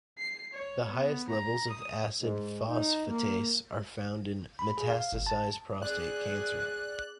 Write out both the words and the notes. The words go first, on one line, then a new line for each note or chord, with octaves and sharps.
The highest levels of acid phosphatase are found in metastasized prostate cancer.
C7
C#5
B3
A#5
D#6
G#2
D#4
A#3
B5
G#4
F5
G1
A5
C4 G#4 D5 F#6